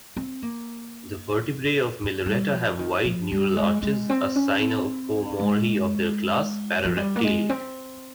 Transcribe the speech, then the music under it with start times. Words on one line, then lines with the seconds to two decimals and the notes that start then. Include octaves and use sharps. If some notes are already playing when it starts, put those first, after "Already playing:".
The vertebrae of 'Milleretta' have wide neural arches, a synapomorhy of their class, parareptilia.
0.17 C4
0.42 A#3
2.26 G3
2.52 F3
2.79 D#3
3.05 F3
3.31 G3
3.56 G#3
3.83 G#3
4.09 C4
4.36 C#4
4.61 C4
5.39 G#3
6.85 F3
6.97 G3
7.16 A#3
7.23 G#3
7.49 C4